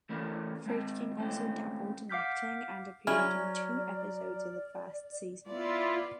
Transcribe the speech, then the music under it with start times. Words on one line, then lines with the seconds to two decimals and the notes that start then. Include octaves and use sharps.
Friedkin also dabbled in acting and appeared in two episodes in the first season.
0.09 E3 A3 C#4 A#4 D5
0.66 G#3 C4 A5
1.18 G#3 A3 C4 C#4
2.09 F5 F#5 D6 F6 G6 B6
3.07 F#3 C#4 E4 G#4 D5 F6
5.47 B3 E4 F4 D5